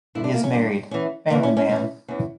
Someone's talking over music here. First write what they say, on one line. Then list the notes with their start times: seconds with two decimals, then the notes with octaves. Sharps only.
He is a married, family man.
0.15 G2 D3 E4
0.24 D4
0.34 A#3
0.43 C#4
0.53 G2 D3 D4
0.91 E2 E3 C#4
1.30 E2 E3 A#3
1.43 C#4
1.57 C#4
1.69 E2 E3 C#4
2.08 E2 E3 C#4